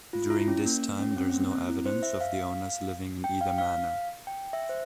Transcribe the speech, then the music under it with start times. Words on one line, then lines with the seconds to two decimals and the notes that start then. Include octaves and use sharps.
During this time there is no evidence of the owners living in either manor.
0.13 F4
0.30 E4
0.48 C#4
0.65 A#3
0.99 C#4
1.11 C#4
1.17 C4
1.30 C4
1.34 A#3
1.51 C4
1.69 E4
1.86 C5
2.03 E5
2.21 F5
3.24 G5
3.41 F5
3.58 F5
4.27 G5
4.53 E5
4.69 C5